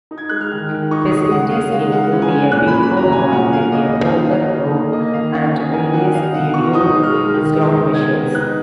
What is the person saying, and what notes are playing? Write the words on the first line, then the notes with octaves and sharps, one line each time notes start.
Facilities include a Bingo Hall, with a Poker Room and various video slot machines.
D#4
G#6
G#3 F#6
F6
D#3
D#3
D#4 C#6
G#3 D#6
C#3 F#5
C#4 F5
G#3 F5
G#3 F#5
C#4
G#5
C#4
A#2 F#6
C#4 B5
B5
F#3 A#5
C#4 G#5
A#2 F#5
C#4 F5
A#3 D#5
D#3
F5
D#4
D#4
D#4
A#3
A#3 D#5
D#3 F5
C#4 F#5
D#3 G#5
D#3 G#5
D#3 F#5
D#4 F5
B2 F#5
B2 C#6
D#4 D#6
G#3
F6
G#3
D#3
G#3
D#4
B3 G#6
B3
D#4 F#6